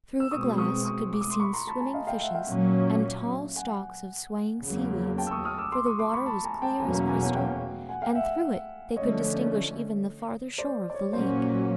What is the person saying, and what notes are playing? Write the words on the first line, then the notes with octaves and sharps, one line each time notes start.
Through the glass could be seen swimming fishes, and tall stalks of swaying seaweeds, for the water was clear as crystal and through it they could distinguish even the farther shore of the lake.
E6
B2 G#3 C4 C#6 D#6
C#6 D#6
C#6 D#6
D6
D#6
C6 D6
B5 C#6
A#5 C6
A5 B5
G#5 A#5
D#5 F5
F5 G5
E5 F#5
F5 G5
A#2 F#3 A#3 C#4
F#5 G#5
E2 C#3 F#3 A#3
G5 A5
E6
C#6 D#6
D#6 F6
D6 E6
C6 D6
C#6 D#6
C6 D6
B5 C#6
A5 B5
G#5 A#5
G5 A5
E2 B2 F#3 A#3 C#4 G#5 A#5
G#5 A#5
G#5 A#5
F#5 G#5
F5 G5
F#5 G#5
F5 G5
E5 F#5
D3 F3 A3 C#4 C#5 D#5
C5 D5
D5
C#5
A#2 F#3 A#3 C#4 C5